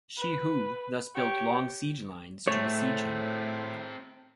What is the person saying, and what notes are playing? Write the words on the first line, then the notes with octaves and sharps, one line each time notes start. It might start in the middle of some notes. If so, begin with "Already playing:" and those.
Shi Hu thus built long siege lines to besiege him.
B4
G4 C#5
A2 A3 C4 G#4 C#5